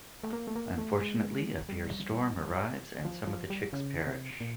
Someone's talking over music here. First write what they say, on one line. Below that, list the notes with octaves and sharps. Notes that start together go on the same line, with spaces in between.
Unfortunately, a fierce storm arrives and some of the chicks perish.
A3
A#3
A3
A#3
A3
G#3
G3
F3
F3
G3
C#3
C3
A#2